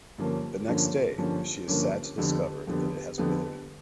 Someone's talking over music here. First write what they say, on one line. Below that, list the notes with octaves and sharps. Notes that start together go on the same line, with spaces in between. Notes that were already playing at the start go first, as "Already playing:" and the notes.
The next day, she is sad to discover that it has withered.
G2 D3 F3 A#3 C#4
G2 D3 F3 A#3 C#4
G2 D3 F3 A#3 C#4
G2 D3 F3 A#3 C#4
F2 D3 G3 B3
F2 D3 G3 B3
F2 D3 G3 B3